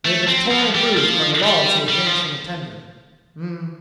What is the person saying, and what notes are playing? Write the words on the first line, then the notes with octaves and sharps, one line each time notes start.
They had been torn and bruised by the logs he had yanked from the tender.
A3
C4
F3
G3
F3
G3
G3
F3